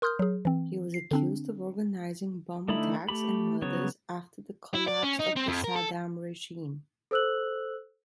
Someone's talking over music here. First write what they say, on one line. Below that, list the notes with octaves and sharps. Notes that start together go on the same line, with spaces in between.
He was accused of organizing bomb attacks and murders after the collapse of the Saddam regime.
A#4 C6 D#6 F6 G6
F#3 G#4
E3 C4
C7
D3 C4 D4
D3 A3 D#4 E4 B5
A3 G4 B5
C#3 F#3 B3 C#5
E4
D5
C#4
D#4
C4
F2
A#4
A4
A4 C5 E6 F#6 F#7